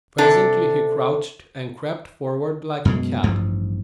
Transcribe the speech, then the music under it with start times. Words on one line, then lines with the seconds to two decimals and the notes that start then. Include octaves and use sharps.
Presently he crouched and crept forward like a cat.
0.18 C3 D4 A4
2.85 F#2 B2 G#3
3.23 A1 G2 F3